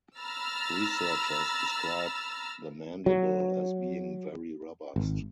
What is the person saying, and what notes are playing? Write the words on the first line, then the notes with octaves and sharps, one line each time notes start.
Researchers describe the mandible as being "very robust".
A#5 B5 E6 F6 A6
F#3
G#1